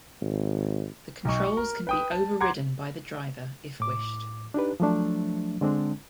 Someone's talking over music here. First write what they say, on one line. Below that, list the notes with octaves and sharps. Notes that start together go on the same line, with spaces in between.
The controls can be overridden by the driver if wished.
G#1
B1 F#3 D#5 C#6
C#6
A#4
B4 G5 D#6
A5
F#5 A#5 C6 D6 G#6
A2 D6
D4 D#4 G4 B4
F3 F#3 A3 D4
D3 G#3 C4 D4